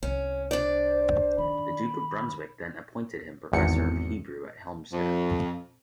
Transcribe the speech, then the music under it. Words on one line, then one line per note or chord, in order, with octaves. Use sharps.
The Duke of Brunswick then appointed him professor of Hebrew at Helmstedt.
C2 C#4 C#5
D4 C5 D5
D#3 B5
G#1 E2 C#7
F2